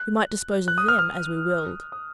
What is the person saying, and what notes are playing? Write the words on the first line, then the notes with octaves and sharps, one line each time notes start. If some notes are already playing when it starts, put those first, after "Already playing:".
We might dispose of them as we willed.
Already playing: F#6
F#6
D#6
F6
F6
D#6